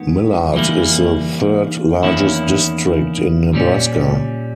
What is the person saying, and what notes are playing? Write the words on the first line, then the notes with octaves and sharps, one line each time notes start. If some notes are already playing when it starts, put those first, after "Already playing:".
Millard is the third largest district in Nebraska.
Already playing: D#3 G#3 B3
E3 G3 A#3 E4
E2 D#3 A#3 C#4 E4
A#2 G3 C#4